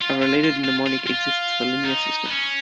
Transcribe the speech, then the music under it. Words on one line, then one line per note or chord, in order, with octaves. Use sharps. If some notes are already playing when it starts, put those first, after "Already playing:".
A related mnemonic exists for linear systems.
F4
F4
F4
F4
F4
F4
D#4
B3
C#4